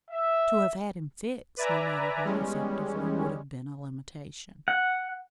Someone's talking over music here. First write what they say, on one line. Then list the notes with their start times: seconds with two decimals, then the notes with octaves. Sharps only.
To have had him fixed, no matter how effectively, would have been a limitation.
0.11 E5
1.57 B4 D5 E5 G#5 A#5
2.24 E2 G3 G#3 C#4
4.68 F#5